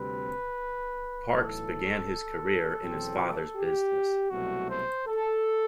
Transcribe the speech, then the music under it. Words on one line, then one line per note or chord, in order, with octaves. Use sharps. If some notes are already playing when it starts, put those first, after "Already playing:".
Parkes began his career in his father's business.
Already playing: D2 C3 G3 C4 B4
B1 A2 E3 A4
E2 B2 F#3 C4
G4
C2 B2 F#3 A3 F#4
C5
A4